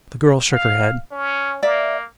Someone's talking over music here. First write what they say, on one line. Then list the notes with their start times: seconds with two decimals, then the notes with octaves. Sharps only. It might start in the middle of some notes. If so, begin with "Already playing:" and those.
The girl shook her head.
0.51 F5
1.12 C#4
1.63 A#3 D5 E5